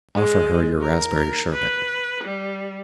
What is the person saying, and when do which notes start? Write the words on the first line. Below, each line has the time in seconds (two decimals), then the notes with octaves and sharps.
Offer her your raspberry sherbet.
0.15 G#3
0.81 A#4
1.52 B4
2.24 G3